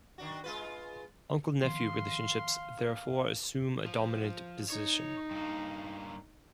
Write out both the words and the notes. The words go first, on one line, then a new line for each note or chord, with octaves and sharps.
Uncle-nephew relationships therefore assume a dominant position.
D#3 D4 F#4
G#3 F4 B4
D#3 F3 B3 F5 C6
F3
D#4 C#5
G2 A#3